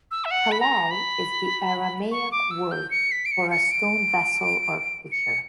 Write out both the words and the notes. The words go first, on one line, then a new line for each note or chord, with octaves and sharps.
"Kallal" is the Aramaic word for a stone vessel or pitcher.
E6
E5
F#5
B5
A#5
B5
C#6
D6
E6
G6
C#7
B6
D7
C#7
C#7
D7
C#7